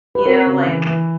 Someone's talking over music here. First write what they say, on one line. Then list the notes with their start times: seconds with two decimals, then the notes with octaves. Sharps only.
you know, like
0.15 B4
0.26 C4 A#4
0.46 C#3
0.66 E3
0.86 E3